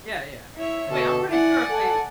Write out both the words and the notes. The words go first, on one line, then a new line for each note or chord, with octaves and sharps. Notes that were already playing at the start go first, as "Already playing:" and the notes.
Yeah, yeah, oh, yeah, I'm pretty sure if they
E4 C#5 E5
B2 D3 A4
E4 D5 F#5 G#5
A4